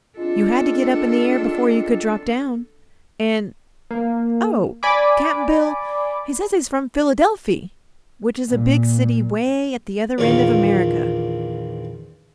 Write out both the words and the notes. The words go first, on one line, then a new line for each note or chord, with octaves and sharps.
"You had to get up in the air before you could drop down, an'--oh, Cap'n Bill! he says he's from Phillydelfy, which is a big city way at the other end of America."
G#3 C4 D4 F4 A4
A#3
D5 G#5 B5 D6
A#2
A#1 E2 A#2 D#3 F4 C#6